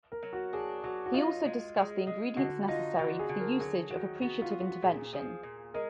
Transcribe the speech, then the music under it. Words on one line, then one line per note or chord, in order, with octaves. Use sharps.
He also discussed the ingredients necessary for the usage of appreciative intervention.
A#4
F#3
F#4
D4 G#4
F#3 F#4
F#4
D#4 F4
G#3
G#3
G#3
D3 F#4
D#4 F4
D3 F#4
G#4
D3
A#4
F#3 G#4
D#3 F#4
B3 F#4
F4
B3
F#4
A#2 G#4
F3 G#4
A#2
G#3 A#4